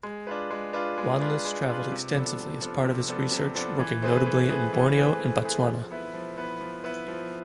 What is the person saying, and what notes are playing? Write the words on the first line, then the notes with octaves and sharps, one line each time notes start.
Wanless traveled extensively as part of his research working notably in Borneo and Botswana.
G#3
D4 F4 B4
G#3
D4 F4 B4
G#3
D4 F4 B4
G#3
D4 F4 B4
C3
F3 B3 D4 A4
C3
F3 B3 D4 A4
C3
F3 B3 D4 A4
C3
F3 B3 D4 A4
E3
A3 C4 G#4 B4
E3
A3 C4 G#4 B4
E3
A3 C4 G#4 B4
E3
A3 C4 G#4 B4
F3
B3 E4 B4
F3
B3 E4 B4
F3
B3 E4 B4
F3